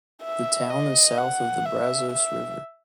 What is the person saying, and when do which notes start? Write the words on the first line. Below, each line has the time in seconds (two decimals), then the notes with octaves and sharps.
The town is south of the Brazos River.
0.23 E5
0.70 D#5
1.18 F#5
1.65 E5
2.12 E5